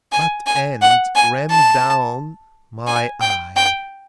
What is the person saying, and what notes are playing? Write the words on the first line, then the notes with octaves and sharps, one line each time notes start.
"Butt end! ram down!! my eye!!"
G#5
G#5
F#5
G#5
A5
G#5
G5
G5